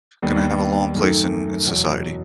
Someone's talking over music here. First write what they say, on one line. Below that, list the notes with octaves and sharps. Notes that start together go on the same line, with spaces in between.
gonna have a long place in in society.
D#2 D#3 G3 B3
F#2 D#3 A3
E2 B2 F#3